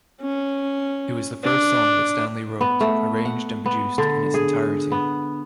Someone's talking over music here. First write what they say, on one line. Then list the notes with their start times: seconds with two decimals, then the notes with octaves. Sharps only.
It was the first song that Stanley wrote, arranged and produced in its entirety.
0.21 C#4
1.43 D4
2.61 B3
2.81 A3
3.25 F#5
3.66 B3
3.98 D3
4.34 G#4
4.92 B3